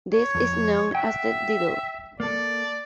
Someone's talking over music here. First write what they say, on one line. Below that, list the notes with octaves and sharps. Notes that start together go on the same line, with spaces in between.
This is known as the "diddle".
C#5
F2
E5 F#5 G5
A#3 A4 D5